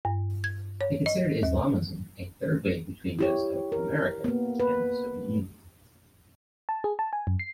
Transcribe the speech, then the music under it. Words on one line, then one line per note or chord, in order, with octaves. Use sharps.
They considered Islamism a third way between those of America and the Soviet Union.
G2
G#6
C#5
D#5
D#2
E4 G4 C#5
A#4
A#3 B3
B4
A5
G#4
A5
G#5
F#2
C7